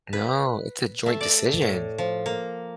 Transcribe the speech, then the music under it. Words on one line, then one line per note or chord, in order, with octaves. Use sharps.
No. It's a joint decision.
B4
A3
D5
A2
F3
A#3